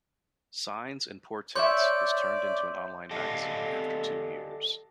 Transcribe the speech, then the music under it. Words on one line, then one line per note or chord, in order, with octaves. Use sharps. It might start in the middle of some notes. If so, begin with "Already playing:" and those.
"Signs and Portents" was turned into an online magazine after two years.
C#5 D5 E5 C6 G6
G4 A4 D5 D#5 F5 A5